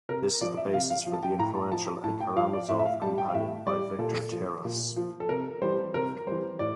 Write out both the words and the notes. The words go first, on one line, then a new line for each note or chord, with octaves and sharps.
This is the basis for the influential "A Karamazov Companion" by Victor Terras.
C3 A#4
F3 D5
E5
C3 F5
F5
F3
A5
G5
A2 A#5
A5
F3 A5
A2 A5
G5
F3 F5
D5
A2 E5
E5
F5
G3 A5
G5
F5
A2 E5
G3 D5
A#2 A4
F3
A#2
F3
A4
C3 A#4
E3 G3 C5
C3 A#4
E3 G3 C5
A2 D5